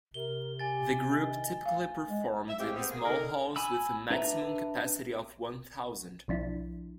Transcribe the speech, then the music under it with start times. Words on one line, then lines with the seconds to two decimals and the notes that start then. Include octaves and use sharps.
The group typically performed in small halls with a maximum capacity of one thousand.
0.14 C3 A#4 G7
0.59 G4 G#5 A6
1.12 D#3
1.65 A3 F5
2.10 G#3
2.48 E5
2.59 G#3 C4 F4 G4 E5
2.75 B3 C4
2.90 A#3 G#4
3.05 D3 D#4 A#4
3.56 G#5 B5 E6
4.10 D4 B4 E5 A#5
6.28 B1 F3 D4 E4